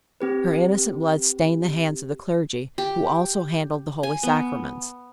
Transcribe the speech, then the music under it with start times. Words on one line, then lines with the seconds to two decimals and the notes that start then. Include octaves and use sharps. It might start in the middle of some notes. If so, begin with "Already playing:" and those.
Her innocent blood stained the hands of the clergy, who also handle the Holy Sacraments.
0.21 C4 G4 B4
2.78 G4
4.03 G#5
4.23 B3